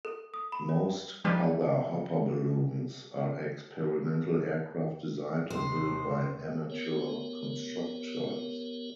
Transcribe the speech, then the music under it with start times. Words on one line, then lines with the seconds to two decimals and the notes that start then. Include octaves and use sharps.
Most other hopper balloons are experimental aircraft designed and built by amateur constructors.
0.05 A4
0.34 D#6
0.52 B5
0.69 C#5
1.24 D#3 F3 G3 D4 G4 B4
5.50 D#2 C3 C5
6.70 B3 G4 A#4 C#5